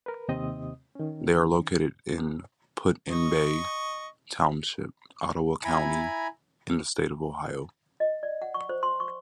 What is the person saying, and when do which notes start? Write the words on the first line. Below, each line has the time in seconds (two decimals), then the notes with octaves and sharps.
They are located in Put-in-Bay Township, Ottawa County in the state of Ohio.
0.06 A#4 B4
0.28 D#2 C3 C4 D#5 D#6
0.95 D#3 C#4
3.10 D#5 C#6
5.64 E4 G#5 A#5 B5
8.00 D#5
8.23 D5
8.42 F#5
8.54 C#6
8.69 C5
8.83 C6
9.00 C#6